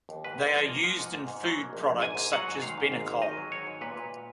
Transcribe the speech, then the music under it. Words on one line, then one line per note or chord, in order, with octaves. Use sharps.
They are used in food products such as Benecol.
D#2
G#2 B4
G#2
F3 D#5
A#3
F3 F#5
G#2
G#2
G#2
F#3
A#3
A#1
A#1
G#2 G#5
G#2
F#3 F#5
G#2
D#3 F5
G#2
G#1 F5
G#2
D#3 D#5
F#3
D#3 C#5
G#2
A#2 B4
A#2